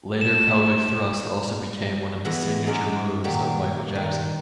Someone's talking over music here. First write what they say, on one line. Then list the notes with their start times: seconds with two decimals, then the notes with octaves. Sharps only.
Later pelvic thrust also became one of the signature moves of Michael Jackson.
0.21 A3 E7
2.25 E2 D#5 E5 F#5
2.66 F#3 G#3 C#4 D5
3.24 A#2 D#3 F#3 G4
3.95 D#3